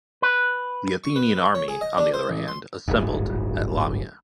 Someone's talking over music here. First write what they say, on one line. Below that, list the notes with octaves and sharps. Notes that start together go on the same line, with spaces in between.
The Athenian army on the other hand assembled at Lamia.
B4
C#6
B4
C#5
G#4
D#5
D4
C5
A1
C6
D1 G1 G#2